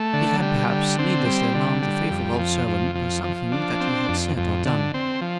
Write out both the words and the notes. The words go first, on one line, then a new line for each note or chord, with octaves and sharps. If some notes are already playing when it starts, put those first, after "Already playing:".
He had perhaps needlessly alarmed the faithful old servant by something that he had said or done.
Already playing: A3
D3
G3
D3
C4
G3
D3
G3
F2
F3
F2
F3
F3
D4
C4
F2
F2
D3
C4
F3